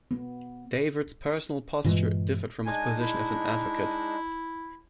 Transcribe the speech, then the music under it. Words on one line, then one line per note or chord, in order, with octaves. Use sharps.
Davis's personal posture differed from his position as an advocate.
B3
G2 A#2 E3 G#3
G#3 D4 D#4 G#5
E4